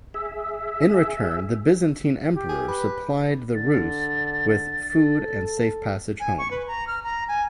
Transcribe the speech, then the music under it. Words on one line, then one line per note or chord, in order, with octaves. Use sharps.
In return, the Byzantine emperor supplied the Rus' with food and safe passage home.
G#4 E5
G4
G#4
B4
D3 A6
A4
G#5
C#6
B4
A#5
F6
A#5
G#5